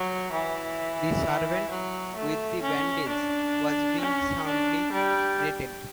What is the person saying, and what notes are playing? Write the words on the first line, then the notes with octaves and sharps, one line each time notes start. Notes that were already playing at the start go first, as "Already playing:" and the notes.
The servant with the bandage was being soundly rated.
Already playing: F#3
E3
F#3
A3
C#4
D4
C#4
D4
G3